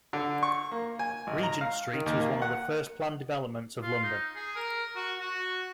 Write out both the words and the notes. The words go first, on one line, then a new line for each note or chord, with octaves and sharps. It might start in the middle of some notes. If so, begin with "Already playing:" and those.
Regent Street was one of the first planned developments of London.
D3
C#6
A#3
G#5
G#1
A#5
F5
D#3
D#2
A#3
F#5
F4
D#4
G#4
A#4
F#4
F#4